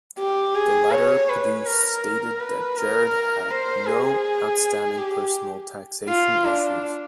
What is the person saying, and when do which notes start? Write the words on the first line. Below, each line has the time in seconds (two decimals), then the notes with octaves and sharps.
The letter produced stated that Gerard had no outstanding personal taxation issues.
0.18 G4
0.55 G#4
0.91 C#5
1.29 B4
1.66 A#4
2.40 B4
2.77 A#4
3.50 C5
3.87 G#4
4.97 G4
6.09 F4
6.45 D4